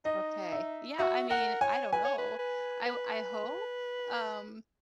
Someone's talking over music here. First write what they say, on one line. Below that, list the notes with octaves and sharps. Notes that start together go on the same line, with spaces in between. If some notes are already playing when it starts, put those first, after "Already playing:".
Okay. Yeah, I mean, I don't know. I w I hope? Um,
D#4 D#5
E5
F#4 E5
A#4 F#5
C#5 G#5
B4 G#5
C#5
B4
B4
B4